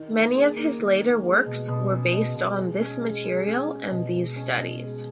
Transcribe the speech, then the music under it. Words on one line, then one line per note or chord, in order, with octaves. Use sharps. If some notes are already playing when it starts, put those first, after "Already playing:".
Many of his later works were based on this material and these studies.
Already playing: D#3
A#3
G#4
A#3
D#3
A#3
G#3
B2
B2
C#4
B2
B2
G#3
C#4
G#3
G#3
C#4
C#4
B2
G#3
C#4
B2
G#3